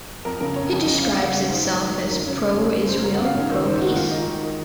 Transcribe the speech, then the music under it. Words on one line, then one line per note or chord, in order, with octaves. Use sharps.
It describes itself as "pro-Israel, pro-peace".
F2 A#4
C#3 A#4
F2 C#5
F2
C#3 D#5
C#3 F5
C#3 F#5
C#3 F5
C#5
G#2 C5
G#2
D#3
D#3
F#2 A#4
C#3 C#5
F#2 C#5
C#3 C#5
C#3 C#5
F#2 C5
C#3 A#4
F#5
C#3
F5
G#2 C#5
D#3 C5
G#2 C5
D#3 F#4
G#2 F4
D#3 D#4
D#3
D#3